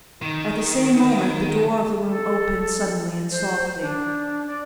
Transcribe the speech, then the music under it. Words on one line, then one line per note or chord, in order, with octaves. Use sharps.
At the same moment the door of the room opened suddenly and softly.
D#3 D#4
A4
C5
D4
D5